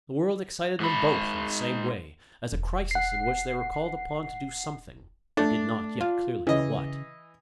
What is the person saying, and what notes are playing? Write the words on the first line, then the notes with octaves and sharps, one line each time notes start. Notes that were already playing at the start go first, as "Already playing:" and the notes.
The world excited them both in the same way; as a crisis in which they were called upon to do something--they did not yet clearly know what.
G#2 B5
E1
F#5 C7
A3 D4
F4
C#3 E3 D#5